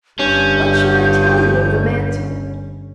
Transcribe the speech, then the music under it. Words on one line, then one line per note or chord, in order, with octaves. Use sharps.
What shall I tell you of the mantle?
G1 G2 C#4 G6